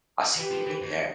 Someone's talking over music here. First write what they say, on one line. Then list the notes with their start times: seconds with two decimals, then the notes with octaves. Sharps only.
I see what you mean there.
0.36 E3 G4 B4
0.51 F3
0.67 E3
0.81 F2